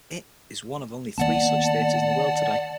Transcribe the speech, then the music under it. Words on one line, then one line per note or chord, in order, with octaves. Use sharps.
It is one of only three such theaters in the world today.
D#3 A#3 B3 D5 F#5 A5